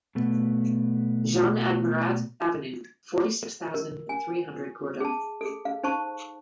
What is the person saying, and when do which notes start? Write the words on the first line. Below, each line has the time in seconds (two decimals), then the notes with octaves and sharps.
Jean Admirat avenue, forty-six thousand and three hundred Gourdon.
0.15 B2 A3 B3
3.74 A#4
4.09 G#5
5.00 G#4 A5
5.41 G#4 A4
5.65 F5
5.83 D#4 C5 A5 C#6